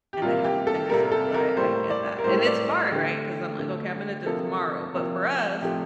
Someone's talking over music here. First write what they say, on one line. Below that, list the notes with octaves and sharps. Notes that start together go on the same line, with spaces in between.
and I haven't finished them, so I I get that. And it's hard, right? 'Cause I'm like, "Okay, I'm gonna do it tomorrow." But for us,
G4
C3 G3 A#3 F4
G4
A4
C3 G3 A#3 A#4
A#4
A4
A#4
A2 G3 A#3 C5
D5
A#4
A2 G3 A#3 C5
C5
D5
D#5
D3 A3 G4
D3 A3
C3 F3 A#3 A4
C3 F3 A#3
C3 F3 A3 G4